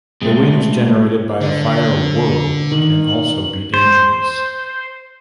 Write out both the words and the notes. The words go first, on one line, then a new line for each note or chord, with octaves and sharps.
The winds generated by a fire whirl can also be dangerous.
B2 G#3 A3 C4
D3
D#3 F#7
C5